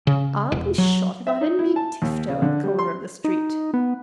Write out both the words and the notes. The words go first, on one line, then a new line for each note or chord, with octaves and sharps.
"I'll be shot if I didn't meet Tifto at the corner of the street."
C#3
E1
F#3
E5
D#4
E4
A5
D#2
C#3
D3
G3
C6
D#4
B3